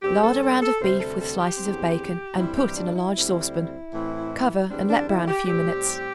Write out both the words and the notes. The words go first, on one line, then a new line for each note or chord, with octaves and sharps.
Lard a round of beef with slices of bacon and put in a large saucepan. Cover and let brown a few minutes.
G2 G3 C4 G4
A4
A4
A4
D2 C3 G3 C4 C5
A4
A4
G4
E2 D3 C4
G2 E3 G3 C4 E4
G4
D4
E4
D2 D3 G3 C4
A2 E3 C4
E2 D3 G3 C4 D4
D4
E4
G4
A2 G3 C4 G4